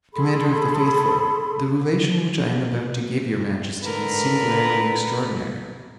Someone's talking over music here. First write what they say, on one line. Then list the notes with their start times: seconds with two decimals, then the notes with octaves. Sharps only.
Commander of the faithful, the relation which I am about to give your majesty is singularly extraordinary.
0.13 G#4 A4 B5 C6
3.83 D3 A#4 B4